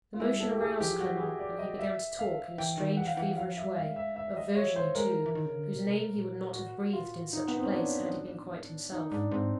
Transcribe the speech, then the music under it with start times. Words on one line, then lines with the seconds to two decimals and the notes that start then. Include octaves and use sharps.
The motion aroused Clement, and he began to talk in a strange, feverish way, of Virginie, too,--whose name he would not have breathed in such a place had he been quite himself.
0.14 F4
0.20 G#3 E4
0.33 G3
0.40 A4
0.46 G#3
0.53 G4
0.61 G#4
0.80 E3 G4
0.89 F3
1.00 F#3 F#4
1.19 G#4
1.39 D5
1.59 D#5
1.79 E5
2.19 F5
2.58 E3 G5
2.78 D#3
2.97 E3 F#5
3.07 F5
3.17 E3 F#5
3.37 F3 F5
3.57 E5
3.64 G3
3.76 F5
3.86 A3
3.90 G#3
3.96 E5
4.16 E5
4.37 D#5
4.56 C#5
4.76 C5
4.95 G#3 A#4
5.26 E3
5.35 D#3
5.46 C#3
5.55 D3
5.74 B2
5.87 C3
6.00 B2
6.14 A#2
6.54 A2 F#4
6.73 B2
6.93 A#2 F4
7.13 A2
7.33 D#4
7.48 B3
7.57 C4
7.64 C#4
7.72 D4
8.91 D#4
9.12 G#2 D4
9.31 G#2 C4